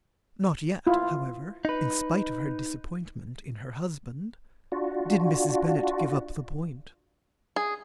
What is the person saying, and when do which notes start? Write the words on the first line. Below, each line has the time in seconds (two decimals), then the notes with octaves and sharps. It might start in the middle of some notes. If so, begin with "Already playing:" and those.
Not yet, however, in spite of her disappointment in her husband, did Mrs. Bennet give up the point.
0.87 E4 F4
1.65 D#4 B4
4.72 D4 F4 F#4
7.56 G#4